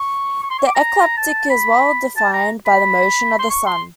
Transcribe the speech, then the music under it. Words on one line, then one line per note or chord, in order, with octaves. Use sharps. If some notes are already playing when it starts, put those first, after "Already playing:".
The ecliptic is well defined by the motion of the Sun.
Already playing: C#6
C#6
C6
C#6
D6
A#5
A5
B5
A5
A#5
B5
C6
C#6
C6